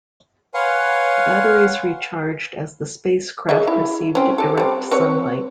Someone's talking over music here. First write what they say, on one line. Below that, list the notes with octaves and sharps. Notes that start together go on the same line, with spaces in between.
The batteries recharged as the spacecraft received direct sunlight.
B4 C#5 F5 F#5 G#5 C6
G#4 D#5 E5
E4
C4 C#4
G4 A4
G3 C4
C4 B4 C#5